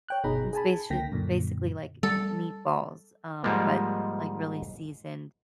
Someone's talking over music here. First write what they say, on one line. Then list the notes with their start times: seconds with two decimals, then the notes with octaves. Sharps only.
it's basica basically like m meatballs, um, but like really seasoned
0.09 C#5 G5 F#6
0.24 G1 B2 D#4 G#4 A#5 B5
0.53 G#4 G#5 A5 B5
0.90 C#2 D3 A#3 G5 A#6 B6
1.12 F#2 A#2 D3
2.03 G3 A4
3.44 G#2 F3 G3 G#3 A#3